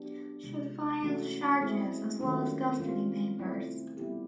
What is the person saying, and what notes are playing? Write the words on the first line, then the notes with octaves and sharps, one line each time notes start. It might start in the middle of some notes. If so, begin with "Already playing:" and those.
She files charges, as well as custody papers.
Already playing: F#3 B3 D4 G4
C3 F3 G#3
E3 A3 C#4 F#4
G#3 C4 E4 G#4
D#3 F#3 A3 C#4 F4
G3 C4 F4
F3 A3 C4 E4
G3 B3 E4 G4